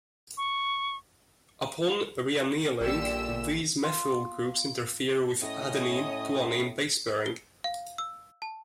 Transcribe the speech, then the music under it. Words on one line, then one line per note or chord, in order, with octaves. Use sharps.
Upon re-annealing, these methyl groups interfere with adenine-guanine base-pairing.
C#6
A#1 A#2 D3 G3 C#4 G4 E6
F4
A2 C#4 D#5 D#6
G7
F5
E6
A5